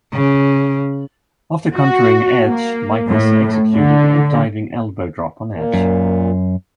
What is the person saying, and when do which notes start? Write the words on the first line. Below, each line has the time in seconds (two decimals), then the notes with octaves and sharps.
After countering Edge, Michaels executed a diving elbow drop on Edge.
0.13 C#3
1.76 F#4
2.46 A#3
3.09 A2
3.74 D3
5.51 A#2
5.74 F#2